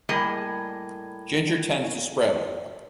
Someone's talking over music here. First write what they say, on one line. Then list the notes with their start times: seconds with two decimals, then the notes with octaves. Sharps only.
Ginger tends to spread.
0.09 A2 G3 A#3 G#4 D#5 G#5